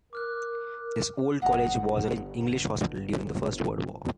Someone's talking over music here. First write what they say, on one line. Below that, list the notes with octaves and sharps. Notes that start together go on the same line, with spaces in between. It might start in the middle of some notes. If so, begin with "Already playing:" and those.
This old College was an English hospital during the First World War.
A#4 D6 F6 F#6
G1 F#5 A#5 D#6